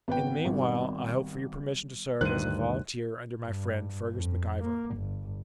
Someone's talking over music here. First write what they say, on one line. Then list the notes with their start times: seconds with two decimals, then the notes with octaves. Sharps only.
In the meanwhile, I hope for your permission to serve as a volunteer under my friend Fergus Mac-Ivor.'
0.08 G#1 B3 B4 G5
0.45 G#1 D#3 G3
2.21 D2 G2 D#3 C5 F#6 D#7
3.45 G2
4.11 F2
4.61 A#3
4.96 G1